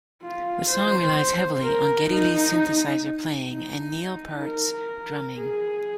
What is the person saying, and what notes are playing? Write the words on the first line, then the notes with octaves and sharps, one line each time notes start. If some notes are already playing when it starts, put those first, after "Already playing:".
The song relies heavily on Geddy Lee's synthesizer playing and Neil Peart's drumming.
F4
C5
A#4
D#4
D#4
A#4
G#4